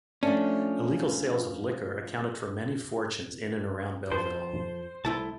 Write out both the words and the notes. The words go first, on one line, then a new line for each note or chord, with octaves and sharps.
Illegal sales of liquor accounted for many fortunes in and around Belleville.
F3 A3 C#4 D4
F2 F3 C5
C2 A3 E4 A5